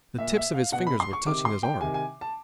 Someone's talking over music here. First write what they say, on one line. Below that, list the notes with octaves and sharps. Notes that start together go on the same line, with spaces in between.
The tips of his fingers were touching his arm.
A#2 E5
E5
F5
B2 F#5
B5
C6
C#6
C3 D#3 D6
C6
G5
C3 D#3 G#5
G#5
A5